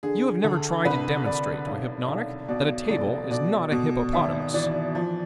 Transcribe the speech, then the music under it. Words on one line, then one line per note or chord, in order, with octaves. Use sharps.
You have never tried to demonstrate to a hypnotic that a table is not a hippopotamus.
D3 G#4
D2 A4
C2 B4
C2 D5
B1
B1
B2 D5
F1 D5
B2 D5
B2
G#1 E5
E3 D5
F3